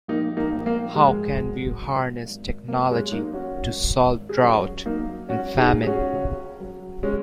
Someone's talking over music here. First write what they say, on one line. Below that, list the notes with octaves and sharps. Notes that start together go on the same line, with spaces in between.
How can we harness technology to solve drought and famine?
A#1 A#3 D#4
A#3 D#4
A#1
A#3
G#2 G#3
F#3
G#1
G#1
F#2 A#3
G#3 C#4
F#3 A#3 D#4
C#4 F#4
G#1
G#1
G#4
F#2 C#4 F#4
F#3 A#3 D#4
C#2 C#4 F#4
D#4 G#4
C#2
G#4
C#4 F#4
C#3
F#3
G#3 C#4